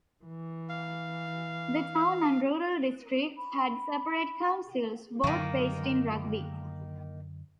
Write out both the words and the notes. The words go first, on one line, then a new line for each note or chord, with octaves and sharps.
The town and rural district had separate councils, both based in Rugby.
E3
F5
B5
F#2 D3 D#3 F#3 A#3